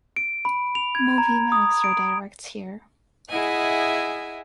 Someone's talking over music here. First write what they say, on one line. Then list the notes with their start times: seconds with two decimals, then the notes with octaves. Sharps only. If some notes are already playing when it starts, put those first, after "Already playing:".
MovieMax redirects here.
0.17 D7
0.45 B5
0.75 F7
0.95 G#6
1.18 A#5
1.52 D#6
1.84 D7
3.29 E4 G#4 D#5 E5 F#5 G#5